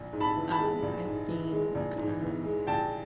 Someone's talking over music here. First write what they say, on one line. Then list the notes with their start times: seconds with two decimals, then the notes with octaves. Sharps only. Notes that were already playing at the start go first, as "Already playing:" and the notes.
Um, I think, um,
Already playing: A#1
0.13 G#2
0.20 A5 B5
0.36 E3
0.51 A5 B5
0.59 G#3
0.82 A#1
1.05 G#2
1.28 E3
1.52 G#3
1.75 A#1
1.98 G#2
2.21 E3
2.44 G#3
2.67 A#1 G5 A5